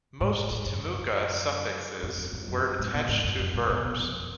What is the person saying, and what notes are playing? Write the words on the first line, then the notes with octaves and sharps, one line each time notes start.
Most Timucua suffixes were attached to verbs.
G#2
G#2
F#2
F2
F#2
F#2
F#2
G#2
B2
G#2
F2
F#2
G#2
B2
B2
F2